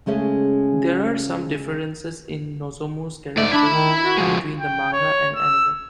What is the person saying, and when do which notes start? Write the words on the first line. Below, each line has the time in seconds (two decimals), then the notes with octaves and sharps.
There are some differences in Nozomu's character between the manga and anime.
0.06 C#3 G#3 A3 C#4
3.37 G#2 A3 D5
3.51 D4 E4 B5
3.71 D#3
4.04 F#4
4.18 F3 G#3
4.59 G5
4.92 C#5
5.35 E6